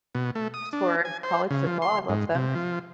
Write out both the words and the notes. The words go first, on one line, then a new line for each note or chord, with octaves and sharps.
for college football; I love them.
B2
A3
D#6
D4
G#5
C5
C#3
F3
C6
G#2
C3
F3